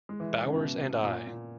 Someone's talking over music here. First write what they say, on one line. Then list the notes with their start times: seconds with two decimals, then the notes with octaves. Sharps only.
Bowers and I.
0.09 G#3
0.20 E3
0.44 C#3
0.56 B2
1.03 A#2
1.27 A#2